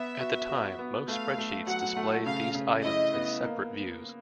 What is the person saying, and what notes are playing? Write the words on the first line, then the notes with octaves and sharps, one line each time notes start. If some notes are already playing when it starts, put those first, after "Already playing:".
At the time, most spreadsheets displayed these items in separate views.
Already playing: B3 E5
F#4
F#4
B3
A3 F5
A3
F#3 F#5
A3
C#3 F5
C#3
E4 D#5
B3
A#3